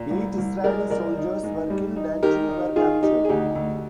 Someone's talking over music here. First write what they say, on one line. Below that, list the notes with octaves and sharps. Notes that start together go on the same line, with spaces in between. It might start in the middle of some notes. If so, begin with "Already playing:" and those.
Eight Israeli soldiers were killed and two were captured.
Already playing: A#2
C2
C2
G#3 A#4 D5
C2 A#4 D5
D#4
G#2
G3
D#4
D#3 G4 A#4
D#4
D#3 F4 G#4
D#4 G4
G#4
D2 D#4 G4
D2